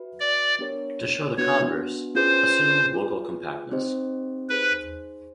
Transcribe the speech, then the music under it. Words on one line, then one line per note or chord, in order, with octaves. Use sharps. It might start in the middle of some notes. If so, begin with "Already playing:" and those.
To show the converse, "assume local compactness".
Already playing: F#4 B4 E5
D5
B3 D4 G4 A#4 C#5
B3 D4 F#4 B4 C#5
C#4 F4 G#4 B4 C5
F4 G#4 B4
C4 D#4 G4 C5 D#5
D#4 G#4 B4 C5